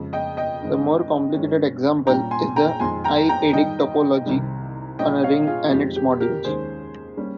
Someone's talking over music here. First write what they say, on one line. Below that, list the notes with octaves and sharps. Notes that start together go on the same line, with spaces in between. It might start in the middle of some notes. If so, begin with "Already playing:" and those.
A more complicated example is the "I"-adic topology on a ring and its modules.
Already playing: F2 C#3 G#3
D#5 G5
D#5 G5
G2 D#3 G#3 C4
G2 F3 G#3 C#4
A#2 G3 C#4 G5 A#5
G#5 C6
G5 A#5
F2 D#3 G#3 G#5 C6
G5 A#5
G5 A#5
G#2 D#3 G3 D#5 G5
C2 C3 D#3 G3
A#2 G3 C#4 D#5 G5
C#5 F5
F4 G#4
F2 D#3 G#3 C4 G4
G4
G4 A#4
D#2 D#3 G#3 C#4 G#4 C5
G3 A#3 C#4